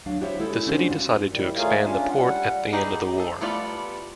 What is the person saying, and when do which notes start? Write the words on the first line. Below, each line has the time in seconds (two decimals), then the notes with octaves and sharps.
The City decided to expand the port at the end of the war.
0.06 D2 F#3 D4 F5
0.21 E4 F#4 G4 C5 C#5 E5
0.40 G#3 E4 A4
0.66 G3 C#4 D4 E4 F#4 C5
0.90 G2 F4
1.29 A2 D#3 G3
1.57 A3 F4 G#4 A#4 C#5 F5
1.84 C#4 D4 F4
2.10 G3 F#5
2.72 B3 D#4 G4 G#4
3.18 G#4 A4
3.41 G3 A3 B3 F4 D5